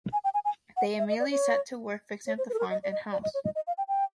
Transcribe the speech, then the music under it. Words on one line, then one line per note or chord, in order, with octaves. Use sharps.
They immediately set to work fixing up the farm and house.
G#5
G5
G#5
G#5
F#5
E5
D#5
D5
C#5
C#5
C5
B4
A4
A#4
D#5
D5
D#5
D5
D#5
C#5
D#5
D#5
F5
G5
G5